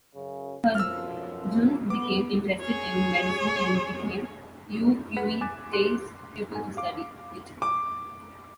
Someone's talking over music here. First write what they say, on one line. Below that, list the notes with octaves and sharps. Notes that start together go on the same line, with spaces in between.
Hur Jun became interested in medicine and became Yoo Ui-tae's pupil to study it.
F#2 C#3
B1 F#2 F3 E6 F6
B3 D6
G#4 C#5
B4 F#5 B6
G#5 D6 F#6 A6 E7
C6 D6 F#6 C#7 D7
G#2 G#5
F5 D6
D6